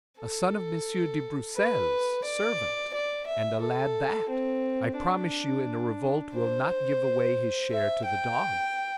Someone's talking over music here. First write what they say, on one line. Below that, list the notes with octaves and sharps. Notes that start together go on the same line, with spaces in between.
"A son of Monsieur de Broussel's servant, and a lad that, I promise you, in a revolt will not give away his share to the dogs."
A4
B4
D5
D5
E5
A4
C4
D4
C5
E5
G5